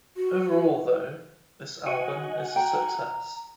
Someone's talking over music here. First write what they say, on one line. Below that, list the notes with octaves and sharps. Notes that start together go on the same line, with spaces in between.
Overall, though, this album is a success.
F#4
F#4 D#5 F#5 G#5
G5 A#5